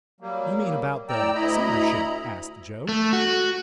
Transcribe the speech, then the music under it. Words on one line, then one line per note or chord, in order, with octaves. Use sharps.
"You mean about the senatorship?" asked Joe.
F#3 G3 A#3
A2 D5 G5 A#5 E6
D2 E4 D#5 A#5 B5
A3
F#4